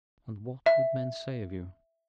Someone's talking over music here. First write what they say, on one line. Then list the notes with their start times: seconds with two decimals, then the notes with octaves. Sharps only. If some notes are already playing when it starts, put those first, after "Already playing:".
"And what would men say of you?"
0.66 E5